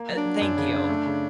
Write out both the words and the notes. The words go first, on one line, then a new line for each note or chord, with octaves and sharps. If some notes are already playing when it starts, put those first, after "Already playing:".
Uh, thank you.
Already playing: A#3
F#3
D4
F#3
F#2
C#3
C#3
A3
C#3